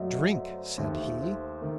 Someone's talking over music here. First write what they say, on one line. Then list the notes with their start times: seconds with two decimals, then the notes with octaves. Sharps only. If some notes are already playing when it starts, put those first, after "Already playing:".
"Drink!" said he.
Already playing: F#2 F#3 A3 D5 D#5 F#5
0.35 C5
0.77 D#2 D#3 A3 C5
1.20 C5
1.61 D#3 A3 A#4